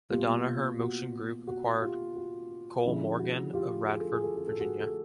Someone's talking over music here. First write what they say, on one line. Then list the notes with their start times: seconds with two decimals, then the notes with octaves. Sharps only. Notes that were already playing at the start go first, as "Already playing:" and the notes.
The Danaher Motion group acquired Kollmorgen, of Radford, Virginia.
0.10 B2 G3 A#3 F4 G4
0.79 F#4
1.47 F#4
1.82 F4 G4
2.16 F#4
2.85 D3 F3 G#3 C#4 E4
3.19 F#4
3.53 F4 G4
3.88 G#4
4.00 A4
4.12 G#4
4.24 A4
4.36 G#4
4.48 A4
4.60 F#4 G#4
4.80 A4